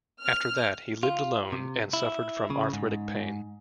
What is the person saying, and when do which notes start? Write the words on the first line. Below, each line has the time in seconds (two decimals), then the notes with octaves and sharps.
After that, he lived alone and suffered from arthritic pain.
0.22 F6
1.03 F4
1.52 C3
1.93 E4
2.50 C#3
2.73 G#2